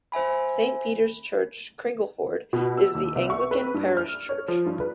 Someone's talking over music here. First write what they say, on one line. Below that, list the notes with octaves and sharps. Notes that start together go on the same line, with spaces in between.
Saint Peter's Church, Cringleford is the Anglican parish church.
C5 E5 G#5 B5
B2
E6
D#2
C2
C#6
B4
G2
F6
C#5
F3
G2
B4